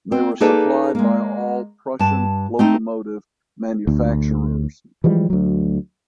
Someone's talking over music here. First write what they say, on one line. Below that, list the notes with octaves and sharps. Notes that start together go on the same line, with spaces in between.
They were supplied by all Prussian locomotive manufacturers.
C4
A#3 D#4 G#4 A4 B4 D5
G#3 A#3
G2 A5
A3 C4 D#4
D2
E3 F3 G3 G#3
D2 F#3